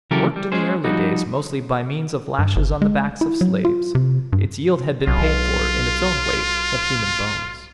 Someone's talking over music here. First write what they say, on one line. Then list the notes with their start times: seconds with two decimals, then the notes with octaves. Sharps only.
Worked in the early days mostly by means of lashes on the backs of slaves, its yield had been paid for in its own weight of human bones.
0.11 C#3 E3 F#3 G4 A4 A#4
0.36 G3
0.52 G#3 C#4 G#4 C5
0.84 F3 G3 D#4 F#4
2.39 G2
2.56 G1
2.82 G#3
3.21 E4
3.41 F#3
3.65 F4
3.95 C3
4.33 G2
5.07 B1 F4